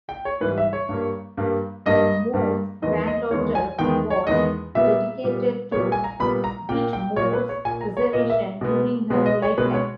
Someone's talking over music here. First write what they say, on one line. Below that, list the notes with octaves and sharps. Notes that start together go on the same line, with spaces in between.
Moore's granddaughter, was dedicated to Beechmoor's preservation during her lifetime.
G5
C#5
G#2 E3 G3 B4
E5
C#5
G2 G3 A#3
G2 G3 A#3
G2 G3 A#3 D#5
G2 G3 A#3
E2 D#3 G#3 B3 D#5
D#5
E2 D#3 G#3 B3 C#5
G#5
E2 D#3 G#3 B3 G5
C#5
E2 D#3 G#3 B3 D#5
A#2 G3 B3 E5
A#2 G3 B3
A#2 G3 B3 C#5
G#5
A#5
A#2 G3 B3 B5
A#5
A#2 A#3 G5
G5
A#2 A#3 C#5
B4
C#5
A#2 A#3 G#5
A#5
C#5
A#2 A#3 D#5
E5
B2 G#3 B3
B2 G#3 B3
D#5
C#5
B2 G#3 B3 B4
C#5